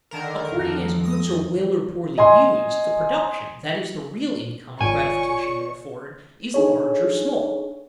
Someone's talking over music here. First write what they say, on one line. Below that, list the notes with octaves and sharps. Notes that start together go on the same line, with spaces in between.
According as goods are well or poorly used, the production--that is, the real income or gratification they afford--is large or small.
D3 D#3 A#4
F2
D#6 A#6
D#5 G#5 C6
G#1 F4 C#5 D5 G#5 C#6
D4 D#4 G#4 A4 C#5